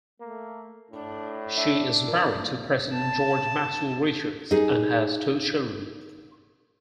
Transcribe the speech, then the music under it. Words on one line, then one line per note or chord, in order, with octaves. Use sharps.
She is married to President George Maxwell Richards and has two children.
A3 A#3
A2 D4
D4 E5
F4 A#4
A5
D#4 G#4